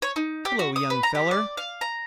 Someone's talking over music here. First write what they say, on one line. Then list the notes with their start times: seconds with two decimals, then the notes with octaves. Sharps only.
"Hello, young feller."
0.02 C#5
0.16 D#4
0.45 G4
0.59 F#4
0.76 D#6
0.90 B4
1.03 A#5
1.15 G4
1.31 D5
1.57 F5
1.81 A#5